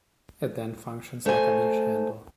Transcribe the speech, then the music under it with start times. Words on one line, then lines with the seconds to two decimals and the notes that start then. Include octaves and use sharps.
It then functions like a leash handle.
1.26 A3 C5 G#5